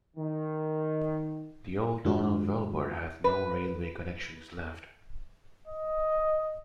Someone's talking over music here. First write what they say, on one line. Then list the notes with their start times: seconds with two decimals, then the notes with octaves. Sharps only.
The old town of Velbert has no railway connection left.
0.17 D#3
2.05 F#2 D#3 G#3 D4 F4 F#4
3.24 B4
5.68 D#5